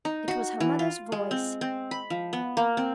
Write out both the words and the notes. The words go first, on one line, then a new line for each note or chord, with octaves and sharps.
It was her mother's voice.
D#4
F#4
E3
F4
G#3
C4
C4
B5
F3
B3
A#3
C4